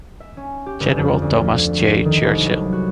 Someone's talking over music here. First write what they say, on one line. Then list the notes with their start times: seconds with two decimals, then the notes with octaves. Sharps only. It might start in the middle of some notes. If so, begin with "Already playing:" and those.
General Thomas J. Churchill.
0.20 E5
0.37 C#4
0.66 G4
0.80 G1
0.98 F2
1.22 D2
1.40 F3
1.77 C7
2.05 D#3
2.22 C2
2.45 F#3
2.73 F#4